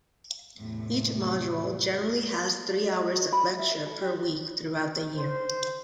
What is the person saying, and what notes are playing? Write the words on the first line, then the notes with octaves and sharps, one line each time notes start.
Each module generally has three hours of lectures per week throughout the year.
E2 A2 C3
D#5
F#4
B5
D#5
E5
A#4
A4
G4
C5